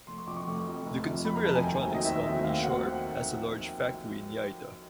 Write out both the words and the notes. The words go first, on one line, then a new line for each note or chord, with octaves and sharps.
The consumer electronics company Sharp has a large factory in Yaita.
F1 C6
C#6
F2 C3 D6
C#6
F1
F2 C3
F1
F2 C3
F1 B5
A#5
F2 C3 A5
G#5
D#2 G5
G#5
D#3 F#3 A3 C4 G5
D#5
D#2 E5
D#3 F#3 A3 C4
D#2 F5
D#3 F#3 A3 C4 F#5